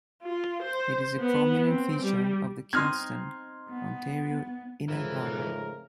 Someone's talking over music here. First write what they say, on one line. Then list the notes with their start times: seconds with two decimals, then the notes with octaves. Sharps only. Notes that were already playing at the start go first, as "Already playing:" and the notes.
It is a prominent feature of the Kingston, Ontario Inner Harbour.
0.23 F4
0.63 C5
1.19 B3
1.67 C4
2.02 G3
2.73 C4 D#4 C6 F6 G#6
3.69 B3
4.88 F2 G#2 C#3 E3 A3 A#4